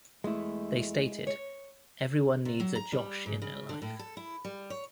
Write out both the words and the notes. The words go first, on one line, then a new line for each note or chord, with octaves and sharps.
They stated, Everyone needs a Josh in their life.
E2 G#3 A3 E4
C#5
C3
F#3
A#5
G3
G#2
C#3
D3
A2
A4
E4
G3
C#5